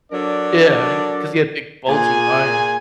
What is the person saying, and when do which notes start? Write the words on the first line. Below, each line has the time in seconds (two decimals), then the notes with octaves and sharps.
yeah, he 'cause he had big bulging eyes,
0.12 F#3 D4 A4 A#4 D5
1.88 A#2 G#4 G#5